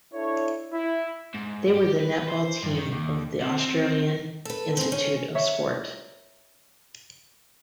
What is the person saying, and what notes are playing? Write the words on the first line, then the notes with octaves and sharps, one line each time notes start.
They were the netball team of the Australian Institute of Sport.
D4 E4 A4 C#5
E4
G#2
G4
B4
C5
G2
D#3
D#2
C3
C4
A4 B4
C4 G#4
C#4
A#4 C#5 E5